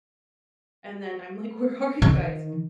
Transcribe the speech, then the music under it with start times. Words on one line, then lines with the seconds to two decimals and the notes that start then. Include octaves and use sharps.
and then I'm like, "Where are you guys?"
2.02 D#3